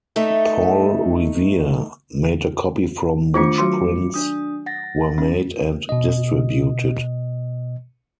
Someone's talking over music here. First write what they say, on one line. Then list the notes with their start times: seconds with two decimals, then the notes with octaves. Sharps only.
Paul Revere made a copy from which prints were made and distributed.
0.16 A3 D#4 A4 E5
3.34 D#3 A3 D4 F4 D6 C#7
3.58 F#3 F#4 C6
4.14 D4 D#6
4.66 F#5 A6 A#6
5.18 C#4
5.89 B2 D#5